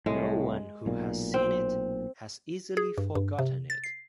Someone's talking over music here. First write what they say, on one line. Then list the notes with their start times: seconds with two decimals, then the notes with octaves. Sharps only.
No one who has seen it has easily forgotten it.
0.06 C2 A2 G#3
0.86 B1 A#2
1.34 C4
2.77 G#4
2.98 G2
3.15 G2
3.39 C3
3.70 A6
3.84 C7